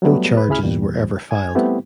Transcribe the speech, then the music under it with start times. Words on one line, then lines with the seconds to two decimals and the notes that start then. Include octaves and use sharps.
No charges were ever filed.
0.02 F#3 G3 A3 B3
0.37 B4
0.49 D2 C#3 E4 G#4 B5 F6
0.64 E2 A#2 G3
1.31 G#5 G#6
1.55 G3 A3 B3 C4 E4 G4